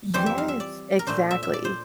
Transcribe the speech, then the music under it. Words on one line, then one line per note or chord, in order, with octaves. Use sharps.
Yes, exactly.
F2 E3 G3 C5
E5
F5
E5
D5
A#4
A#2 A3 D4 C5
E5
E5
D5
C5